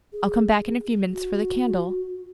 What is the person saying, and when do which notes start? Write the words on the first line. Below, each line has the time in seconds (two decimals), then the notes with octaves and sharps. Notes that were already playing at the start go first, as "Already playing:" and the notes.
I'll come back in a few minutes for the candle.
0.13 G#4
1.12 F#4